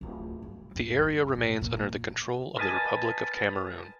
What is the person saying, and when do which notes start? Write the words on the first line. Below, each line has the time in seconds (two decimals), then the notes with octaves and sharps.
The area remains under the control of the Republic of Cameroon.
0.01 D1 F4
0.42 G2
0.76 G2
0.98 G1 D2
1.36 D#2 B2
1.62 A#2
2.59 A#4 B4 D#5 G#5 A5